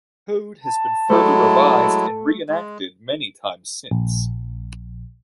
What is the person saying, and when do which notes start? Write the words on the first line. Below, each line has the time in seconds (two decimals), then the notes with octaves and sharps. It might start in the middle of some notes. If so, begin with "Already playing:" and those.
The Code has been further revised and reenacted many times since.
0.63 A5
1.10 F#3 G#3 A3 E4
2.49 G#3
3.91 A#1